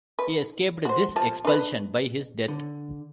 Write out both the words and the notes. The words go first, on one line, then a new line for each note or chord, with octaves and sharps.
He escaped this expulsion by his death.
B4
F#4 C5
F3 A5
D4 B4
D3